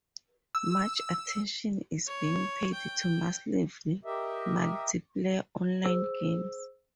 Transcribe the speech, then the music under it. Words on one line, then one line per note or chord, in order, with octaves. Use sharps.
Much attention is being paid to massively multiplayer online games.
E6
C#5
G5
G4 A#4 D#5 E5
G#4 C5 E6